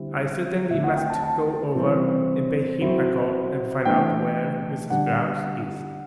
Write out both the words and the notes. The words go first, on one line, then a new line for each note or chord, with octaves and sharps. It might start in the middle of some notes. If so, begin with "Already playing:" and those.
I certainly must go over and pay him a call and find out where Mrs. Grouse is.
Already playing: D3 G3 C4 E4
D3 A3 C4 E5
F#5
G5
A5
A5
C3 E3 G3 C4 E4
F#3 C4 E4
E3 A3 D4 G5
D3 G3 D4 F#5